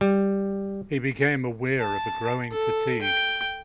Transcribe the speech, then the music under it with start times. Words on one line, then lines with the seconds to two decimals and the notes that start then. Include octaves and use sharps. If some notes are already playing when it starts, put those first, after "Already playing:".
He became aware of a growing fatigue.
0.01 G3
1.79 A5
2.51 A4
3.02 G5